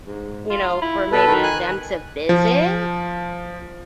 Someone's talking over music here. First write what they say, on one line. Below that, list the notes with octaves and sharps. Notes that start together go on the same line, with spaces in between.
you know, for maybe them to visit.
G#2
F4
E4
B2 A4 B4
D#3
G#5 F#6
F3